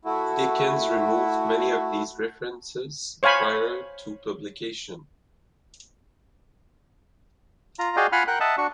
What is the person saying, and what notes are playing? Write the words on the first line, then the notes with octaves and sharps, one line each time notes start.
Dickens removed many of these references prior to publication.
A3 E4 F#4
C5 C#5 F5 G#5 B5
F4 A#5
F#4 G#4 D5 D#5 F5 G5
F4 F#5 G#5 B5 C6 F6
A#4 F#5 G5 F#6
D#5 E5 F#5 A5
D4 F#4 C#6